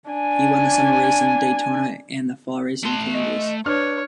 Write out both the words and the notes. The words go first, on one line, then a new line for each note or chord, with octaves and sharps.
He won the summer race in Daytona and the fall race in Kansas.
D4 G#5
A3 A5 C6
D#5
D4 B4 C#5 F6